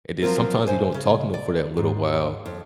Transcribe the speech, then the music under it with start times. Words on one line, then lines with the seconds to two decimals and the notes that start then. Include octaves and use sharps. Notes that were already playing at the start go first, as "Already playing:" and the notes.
and then sometimes you don't talk to 'em for that little while,
0.22 F3 F#3 G#3 C4 F4 A#4
0.67 D2 C5 G#5
0.94 C#3
1.34 D5
1.77 G#2
2.46 F2